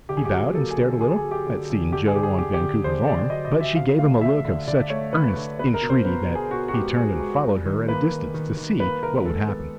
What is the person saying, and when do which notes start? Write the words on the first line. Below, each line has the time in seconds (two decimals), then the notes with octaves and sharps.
He bowed and stared a little at seeing Joe on Vancouver's arm, but she gave him a look of such earnest entreaty that he turned and followed her at a distance to see what would happen.
0.09 D3 G4
0.17 G#4
0.25 G4
0.32 F#3
0.55 A#3 A4
0.71 G#4
0.78 D3
1.01 F#3 G#4
1.16 G#4
1.24 F#3
1.31 G4
1.47 D3
1.70 D3
1.92 D3 G4
2.08 G#4
2.15 D3 G4
2.23 G#4
2.38 D3 G4
2.54 G4
2.61 D3
2.84 D3 C5
3.07 D3 D5
3.30 F#3 D#5
3.45 D#5
3.53 F#3
3.60 E5
3.76 D3 F5
3.99 A3 F5
4.21 D3 E5
4.45 D3
4.67 D3 D5
4.90 A3 C#5
5.13 D3 B4
5.37 D3
5.59 B3 B4
5.74 A#4
5.82 B2
5.90 C5
6.05 B2 B4
6.28 B2
6.35 G#4
6.51 B2 F#4
6.68 F#4
6.74 G#3 G4
6.97 B3 G#4
7.20 G#3
7.42 G3
7.65 D#3
7.88 A#3 B4
8.11 D#3
8.34 D#3
8.57 D#3
8.80 A#3 B4
9.03 D#3 A#4
9.25 G#3 A4
9.49 B3